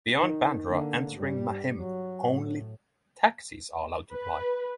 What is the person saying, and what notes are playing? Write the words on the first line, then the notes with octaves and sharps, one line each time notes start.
Beyond Bandra, entering Mahim, only taxis are allowed to ply.
D#3
D3 A#3
G2 G3
F#3
A2
B4